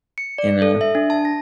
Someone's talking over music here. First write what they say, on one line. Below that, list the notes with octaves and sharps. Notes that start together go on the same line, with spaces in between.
You know?
C#7
D5
A4
E5
D4
A5
A#6